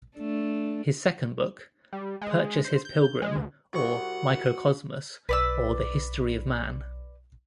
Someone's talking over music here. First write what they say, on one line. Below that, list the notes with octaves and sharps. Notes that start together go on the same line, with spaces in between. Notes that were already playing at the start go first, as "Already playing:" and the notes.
His second book, Purchas his Pilgrim or Microcosmus, or the Historie of Man.
A3 D4
G3
G#3
C5
G6
G#3
D2
C2 F#4 F#5 C#6
B1 B4 D5 E6